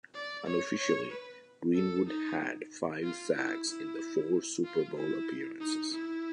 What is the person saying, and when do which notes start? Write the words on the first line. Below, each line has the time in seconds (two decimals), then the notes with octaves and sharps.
Unofficially, Greenwood had five sacks in the four Super Bowl appearances.
0.15 D5
0.46 C#5
0.78 C#5
1.11 B4
1.75 A4
2.06 D#4
3.03 F4
3.35 E4
3.68 E4
4.64 F4
4.96 E4
5.60 D#4
5.92 E4